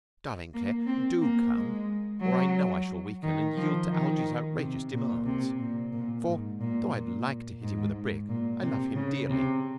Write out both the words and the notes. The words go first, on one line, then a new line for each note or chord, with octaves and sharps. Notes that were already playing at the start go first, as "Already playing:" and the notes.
Darling Claire, do come, or I know I shall weaken and yield to Algie's outrageous demands, for, though I would like to hit him with a brick, I love him dearly.
A#3
C4
A#3
G#3
F#3
D#3
F3
D#3
C3
A#2
C3
A#2
A#2
G#2
A#2
A#2
G#2
A#2
C3
C#3
C3